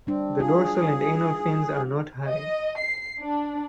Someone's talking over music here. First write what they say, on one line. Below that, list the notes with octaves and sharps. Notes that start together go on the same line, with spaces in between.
The dorsal and anal fins are not high.
G3 C4 D4
F4 G#4
D#5
C7
D4